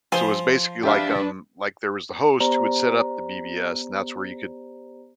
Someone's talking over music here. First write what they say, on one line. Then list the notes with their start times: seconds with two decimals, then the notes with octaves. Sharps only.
So, it was basically like, um, like there was the host who would set up the BBS and that's where you could
0.12 F3 G#4 C5
0.83 D4 G4 B4 E5 F5
2.40 B3 G4 C5 D5 A#5